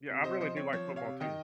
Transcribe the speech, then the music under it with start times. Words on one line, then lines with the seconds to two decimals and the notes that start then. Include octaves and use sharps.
Yeah, I really do like football too.
0.09 C3
0.24 C3 C5 D#5
0.41 F3 C5 D#5
0.56 C4 C#5
0.73 F3 C#5
0.89 C3
0.96 C#5 F5
1.04 C3
1.20 D#3 D#5 G5